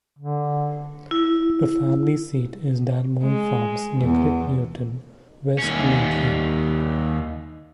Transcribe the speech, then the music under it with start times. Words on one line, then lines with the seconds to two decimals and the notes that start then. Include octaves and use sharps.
The family seat is Dalmahoy Farms, near Kirknewton, West Lothian.
0.19 D3
1.11 E4
3.24 G#3
4.01 E2
5.58 D#2 C#4